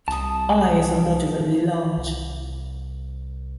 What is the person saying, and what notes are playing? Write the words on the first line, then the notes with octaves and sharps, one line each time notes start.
Eyes are moderately large.
C2 A5 D#6
E3
C2